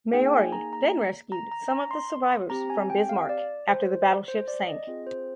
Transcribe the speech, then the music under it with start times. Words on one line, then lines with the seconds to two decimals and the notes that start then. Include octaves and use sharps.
"Maori" then rescued some of the survivors from "Bismarck" after the battleship sank.
0.13 A#3 D#4 G#4 G5
0.33 G#5
0.52 A#5
0.73 A#5
1.32 A#5
1.52 A#5
1.71 A#5
1.91 C6
2.50 C4 G4 A#5
2.70 G#5
2.90 G5
3.09 F5
3.29 D5
3.69 C5
4.28 C5
4.48 D5
4.67 D#5
4.87 C4 F4 G#4
5.07 C5